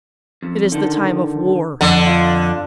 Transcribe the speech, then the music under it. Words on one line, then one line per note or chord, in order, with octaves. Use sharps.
It is the time of war.
F2
D3 D#3
F2 D3
F4